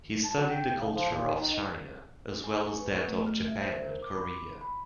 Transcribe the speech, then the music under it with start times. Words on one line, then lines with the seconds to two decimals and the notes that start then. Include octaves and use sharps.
He studied the culture of China as well as that of Japan and Korea.
0.25 A5
0.36 F#3
0.50 G5
0.77 C#3
0.94 F3
1.09 A#2
1.39 D#3
2.44 G#5
2.66 C#6
2.80 B4
3.08 A3
3.27 F6
3.48 E5
3.62 C5
3.82 A#4
4.02 D6
4.14 B5
4.33 C6
4.61 B5